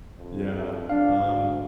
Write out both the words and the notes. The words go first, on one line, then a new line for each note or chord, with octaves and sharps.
Yeah, um
F2
D4 F5
D2